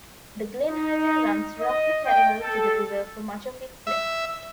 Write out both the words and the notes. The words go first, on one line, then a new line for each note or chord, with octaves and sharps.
The Glenn Highway runs roughly parallel to the river for much of its length.
D#4
D#5
G5
A4
E5